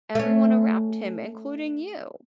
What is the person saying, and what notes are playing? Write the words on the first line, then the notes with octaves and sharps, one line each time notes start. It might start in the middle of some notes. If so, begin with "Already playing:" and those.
everyone around him, including you.
A3 C#4